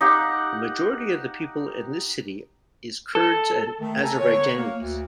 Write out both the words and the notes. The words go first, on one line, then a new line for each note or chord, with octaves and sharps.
The majority of the people in this city is Kurds and Azerbaijanis.
D#4 G4 F#5
A4
D#3 A3
A4 G#5 A#5
D3 B3 A#4 C#5
A#3
D2